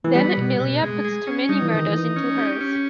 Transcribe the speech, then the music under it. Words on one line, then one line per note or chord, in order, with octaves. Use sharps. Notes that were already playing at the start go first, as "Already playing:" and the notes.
Then Emilia puts too many murders into hers.
E3
G3 B3
B2
B2
G#3
G#4
C#4
G3 D#4
E3
D#3 D#4
E3
D#4
C#4
G4
C#4